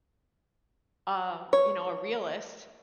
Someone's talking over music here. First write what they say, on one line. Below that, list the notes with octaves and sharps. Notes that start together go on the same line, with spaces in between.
um, you know, a realist,
C#5